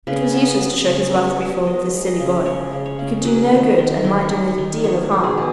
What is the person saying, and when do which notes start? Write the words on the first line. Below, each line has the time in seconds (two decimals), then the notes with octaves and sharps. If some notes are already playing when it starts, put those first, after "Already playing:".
It was useless to show his wrath before this silly boy, who could do no good and might do a deal of harm.
0.07 C#3 B4
0.34 B3
0.61 B3
0.87 C#3 C#5
1.13 B3
1.27 C#5
1.40 B3
1.66 B3 D#5
1.93 G#3
2.07 D#5
2.19 C#3
2.46 G#3 C#5
2.73 C#3
2.86 C#5
2.99 C#3
3.25 F#3 B4
3.51 D#3
3.78 D#3
4.04 D#3
4.32 D#3
4.58 D#3
4.84 B3 C#5
5.11 B2
5.24 G#4
5.37 B2